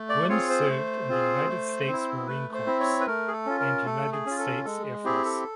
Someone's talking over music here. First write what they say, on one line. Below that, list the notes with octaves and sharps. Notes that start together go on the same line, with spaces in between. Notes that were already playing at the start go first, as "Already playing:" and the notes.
Gwynn served in the United States Marine Corps and United States Air Force.
Already playing: A3
D5
C4 F4 G#4 C#5
C5
A3
C4 F4 G#4
A3
C4
E4
A3 B4
C5
C4 E4
C#5
B4
A3 A#4
G#4
A4
C#4 F4
A#4
A3 A4
G#4
C#4 F4
A4
G#3 A4
C4 E4 G4 G#4
A4